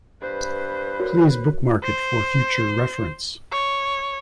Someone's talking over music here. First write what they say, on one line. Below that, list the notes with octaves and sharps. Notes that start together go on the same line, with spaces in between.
Please bookmark it for future reference.
G2 B4 C5
F#4 A#4 C#5
C5
C#5